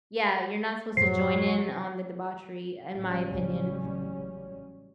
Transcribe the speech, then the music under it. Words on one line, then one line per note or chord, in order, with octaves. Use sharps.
yeah, you're not supposed to join in on the debauchery in my opinion
F#2 A2 F#3 C5 C7
A1 C#3 F#3 G3 C#4